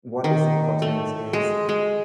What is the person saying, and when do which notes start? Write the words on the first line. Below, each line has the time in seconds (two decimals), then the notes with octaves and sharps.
what is important is
0.24 D#3
0.82 A3
1.33 G#3
1.69 G#3